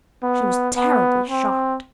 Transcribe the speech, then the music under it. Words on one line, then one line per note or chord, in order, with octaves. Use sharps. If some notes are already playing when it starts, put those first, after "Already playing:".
She was terribly shocked.
B3
B3
C4